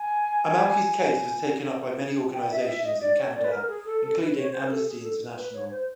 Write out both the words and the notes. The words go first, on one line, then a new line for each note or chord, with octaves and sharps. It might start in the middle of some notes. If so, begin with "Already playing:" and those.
Almalki's case was taken up by many organizations in Canada, including Amnesty International.
Already playing: G#5
G5
E5
D#5
E5
D#5
D5
C#5
D5
B4
A#4
G#4
A4
A4
B4
C#5
C5
A#4
A4
G#4
A4
B4
C#5
C5